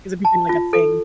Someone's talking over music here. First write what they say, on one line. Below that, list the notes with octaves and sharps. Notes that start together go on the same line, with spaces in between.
'Cause it became like a thing.
A5
F4
A4